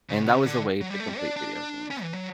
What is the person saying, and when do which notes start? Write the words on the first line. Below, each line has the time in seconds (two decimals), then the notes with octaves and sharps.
and that was a way to complete video games,
0.09 C#3
0.22 B2
0.27 C#3
0.46 D3
0.81 F#3
0.90 G3
1.00 A3
1.09 G3
1.18 D4
1.36 D4
1.91 C#4
2.02 E3
2.14 F#3